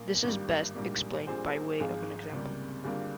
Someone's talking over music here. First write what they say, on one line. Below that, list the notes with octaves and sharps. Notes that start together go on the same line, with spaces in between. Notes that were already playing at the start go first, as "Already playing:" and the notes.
This is best explained by way of an example.
Already playing: A#1 A#3
G#1 G2 G3 A#3
A#1 G#2 G3 A#3
A#1 A#2 G3 G#4 C5
A#4
G#4 C5
G#1 G#2 F3 G#3 F4 G#4
C#2 C3 G3 A#3
G1 G2 G3 A#3 F4 G#4